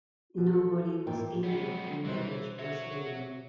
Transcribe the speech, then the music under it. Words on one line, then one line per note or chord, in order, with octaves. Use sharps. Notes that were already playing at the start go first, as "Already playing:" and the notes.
Nobody was injured and damage was minimal.
B2
A4
A#2 E3 G5
F2 F#3 G#3 B3
C2 B2 E3 G3 C5 C#5
F#4 C#5 E5
C4 E5